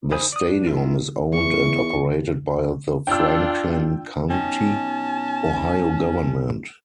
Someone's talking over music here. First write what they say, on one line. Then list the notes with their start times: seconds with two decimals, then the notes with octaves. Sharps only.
The stadium is owned and operated by the Franklin County, Ohio government.
0.12 D#3 C5 G#5 B5 D#6
0.32 D5 D#6
0.47 D4
0.67 D#3 C4 E4 F4
1.33 E2 C#6
3.07 D4 F4 G5 E6
4.30 B2 C#4 D#4 G5 A5